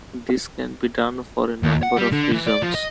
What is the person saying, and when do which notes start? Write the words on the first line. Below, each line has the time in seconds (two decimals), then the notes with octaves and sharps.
This can be done for a number of reasons.
1.63 D#2
1.83 F#5
1.97 G3
2.12 D3
2.31 E3
2.46 D5
2.62 F3
2.74 D#5